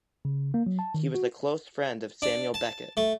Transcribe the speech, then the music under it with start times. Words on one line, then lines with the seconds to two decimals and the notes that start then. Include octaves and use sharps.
He was a close friend of Samuel Beckett.
0.25 C#3
0.54 A#3
0.67 F#3
0.79 A5
0.94 D#3
1.15 F#4
2.22 D4
2.54 A5
2.97 A3